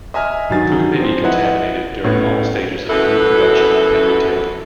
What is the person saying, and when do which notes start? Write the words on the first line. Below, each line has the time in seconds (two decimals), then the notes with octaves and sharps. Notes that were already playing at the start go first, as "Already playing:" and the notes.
Food may be contaminated during all stages of food production and retailing.
0.14 D#5 E5 G#5 F6
0.50 G2 D#3 F#3 G#5 A6
0.96 F3 C4
1.23 E4 B4 D#5 F#5
2.04 A2 B3 C#4
2.90 F#2 B2 E4 A4 B4